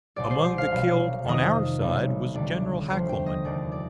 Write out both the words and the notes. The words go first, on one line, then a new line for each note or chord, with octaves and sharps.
Among the killed on our side was General Hackelman.
C2 B2 G3 D5
C5
C5
F5
B1 B2 G3
F2 C3 D#3 G3 D#5
B1 B2 G3
D2 D3 G3 D5
D2 D3 F3 C5
G5
D#5
F1 D#2 D#3 G3 D5
D5